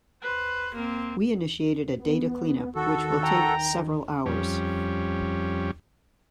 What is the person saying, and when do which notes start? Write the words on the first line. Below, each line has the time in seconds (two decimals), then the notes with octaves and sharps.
We initiated a data cleanup which will take several hours.
0.22 B4 C5
0.75 A#3 C4
1.99 B3
2.76 D#3 F#4 A4
3.20 G5 A#5
4.26 F2 G3 C#4